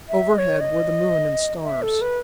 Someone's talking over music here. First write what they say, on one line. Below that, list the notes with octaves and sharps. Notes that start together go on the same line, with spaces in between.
Overhead were the moon and stars.
E5
D#5
C#5
D#5
E5
A4
B4